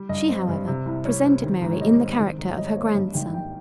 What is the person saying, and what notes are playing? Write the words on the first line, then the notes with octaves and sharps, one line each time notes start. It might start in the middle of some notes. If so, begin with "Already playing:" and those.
She, however, presented Mary in the character of her grandson.
Already playing: G3
G2 D#5
C4
G2
C3
C2
G3 C#5
C4
D#3
G#2
C#5
G3 D#5
C4
D#3
G#2
C#5
G3 D#5
C#5
A#3 C5
C#5
G2 D#5
G#1 G5
G3 G5